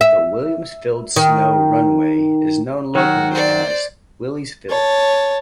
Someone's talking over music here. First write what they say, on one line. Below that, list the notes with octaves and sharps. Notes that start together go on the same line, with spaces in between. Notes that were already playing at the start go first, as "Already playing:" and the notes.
The Williams Field snow runway is known locally as Willy's Field.
E5
D#3
D#3 F#3 F#4
C5 D5
C#5 A5